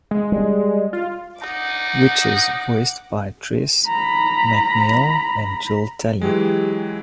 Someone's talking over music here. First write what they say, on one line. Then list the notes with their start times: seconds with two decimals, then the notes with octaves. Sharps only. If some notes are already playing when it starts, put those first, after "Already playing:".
Witches voiced by Tress MacNeille and Jill Talley.
0.11 G#3
0.32 G3
0.93 F4
1.43 D#4 F#5 D6
3.88 A#5 B5
6.21 E3 F#3 G#3 G4